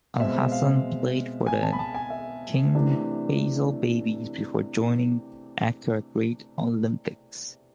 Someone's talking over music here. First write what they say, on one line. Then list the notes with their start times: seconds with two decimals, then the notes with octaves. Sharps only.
Alhassan played for then King Faisal Babies before joining Accra Great Olympics.
0.20 B2 G#3 C4 E5
0.52 F5
1.47 G#5
1.63 A5
1.73 B5
1.79 A5
1.95 G#5
2.10 E5
2.75 C3 E3 A3 D4